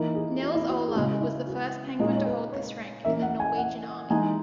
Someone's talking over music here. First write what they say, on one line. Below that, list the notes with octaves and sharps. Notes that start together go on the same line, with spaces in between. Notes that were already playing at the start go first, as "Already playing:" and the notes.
Nils Olav was the first penguin to hold this rank in the Norwegian army.
Already playing: E3 A#3 D#4
G#4
F#4
E4
F#4
G#4
C#3 G#3 C#4 F#4
E4
F#4
A#2 G#3 D#4 G#4
C#5
B4
C#5
E3 A#3 C#4 E5
F#5
G#5
F#5
E3 G#3 D#4 G#5